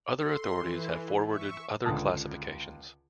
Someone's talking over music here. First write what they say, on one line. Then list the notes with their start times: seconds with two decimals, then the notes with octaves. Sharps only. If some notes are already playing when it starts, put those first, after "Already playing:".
Other authorities have forwarded other classifications.
0.21 A4 C6
0.55 E3
1.27 E5 C#6
1.85 C#2 D3 A5 D#6